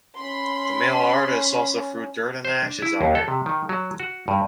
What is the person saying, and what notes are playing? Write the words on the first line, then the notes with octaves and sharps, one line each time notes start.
The male artists also threw dirt and ashes on her.
C#4 B5 C6
C5
D4
E4
D#2
A4
C3
D#3
F#3
F#4
G2